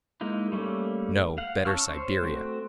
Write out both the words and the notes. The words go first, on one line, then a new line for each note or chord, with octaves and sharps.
No, better Siberia!
G#3 A#3 D#4 E4
G3 A3 A#3 C#4
F5 F#5
C#4 A5 C#6 E6 F6
C5 C#5
A3 C4 F#4